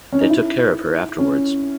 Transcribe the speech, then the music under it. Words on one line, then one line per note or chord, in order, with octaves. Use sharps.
They took care of her afterwards.
C#4
D#4
E4
C#4